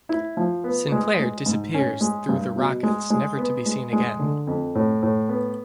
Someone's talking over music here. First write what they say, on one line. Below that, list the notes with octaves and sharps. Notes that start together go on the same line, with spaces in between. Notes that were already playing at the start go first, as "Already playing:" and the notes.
Sinclaire disappears through the rockets, never to be seen again.
E4
F3
B3
G#3
G#3
G#2
C#4
G#3
G2
B2
G#3
G#3
B3
G#3
G#3
D3
F2
A2
A2
B3